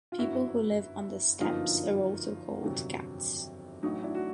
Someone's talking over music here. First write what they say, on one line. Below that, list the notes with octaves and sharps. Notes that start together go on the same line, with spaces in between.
People who live on the steps are also called ghats.
F4
G1 F#2 D3 E4 F#4
G1 F#2 D3 F3 A#3 D#4 F4
G1 F2 C3 D#3 F#3
A1 A2 F#3 D#4
D4 E4
F#4